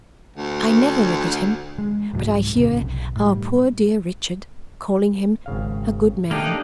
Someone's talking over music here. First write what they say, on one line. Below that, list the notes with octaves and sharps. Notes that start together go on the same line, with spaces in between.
I never look at him but I hear our poor dear Richard calling him a good man.
D2
G#3
C2 G#2 F#3
E1 A#1 F2 C#3
E1 B1
A2 G3
G#1 C#3 F5
A3 A#3 D4 D#4 G4